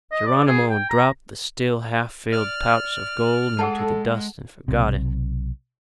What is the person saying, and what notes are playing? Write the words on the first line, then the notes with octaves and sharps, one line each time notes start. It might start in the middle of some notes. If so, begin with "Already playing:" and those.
Geronimo dropped the still half-filled pouch of gold into the dust and forgot it.
D#5
D5
G#4
G5
A#5
D5 F6
G#3 G#4 A4 F#5 A5
B1 C3